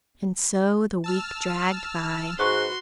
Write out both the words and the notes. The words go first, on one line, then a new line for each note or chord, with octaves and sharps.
And so the week dragged by....
A5 E6 F6
G#2 F#4 B4 C6 C#6 F#6